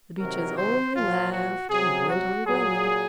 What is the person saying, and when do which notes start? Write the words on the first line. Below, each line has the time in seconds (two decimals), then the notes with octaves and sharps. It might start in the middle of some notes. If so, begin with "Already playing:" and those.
The Beeches only laughed and went on growing.
0.20 C3 D#3 F#3 A#4
0.57 C5
0.95 A#2 F3 F4
1.33 F#4
1.70 C3 F#3 G#4
2.09 F#4
2.46 A#2 F#3 G#4